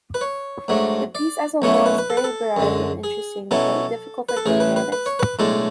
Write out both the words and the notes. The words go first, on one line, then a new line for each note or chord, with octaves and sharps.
The piece as a whole is very varied and interesting, but difficult for the pianist.
B4
C#5
G#2 F#3 A3 D4
D5
B1 B2 A3 C#4 E4 C#5
C#5
B4
B4
A4
B4
A4
F#2 D3 G#3
G#4
B2 F#3 C#4 E4 A4
B4
A4
A1 A2 E3 G#4
B4
B4
B4
C#5
B4
B1 A2 G#3 D4 A4